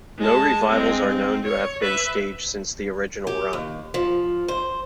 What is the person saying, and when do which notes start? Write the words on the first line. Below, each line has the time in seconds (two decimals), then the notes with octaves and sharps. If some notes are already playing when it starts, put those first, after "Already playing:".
No revivals are known to have been staged since the original run.
0.18 G#3 A5
0.68 G#3 C4
1.08 C4
1.44 C#5
1.81 B4 E5
3.27 G4
3.53 D#2
3.94 F3
4.48 C5